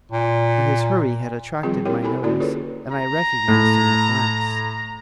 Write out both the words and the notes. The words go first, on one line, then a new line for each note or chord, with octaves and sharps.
But his hurry had attracted my notice, and I recognized him at glance.
A#2
D#3 F3 G3 C4 F4 G#4
C4 E4 F4 G4 A#4 C#5
E4 G4 A4 G#5 B5
D3 A#3 C#4 E4 F#4 D5
F4 G#4 A4 B4 C#5
A#5
A2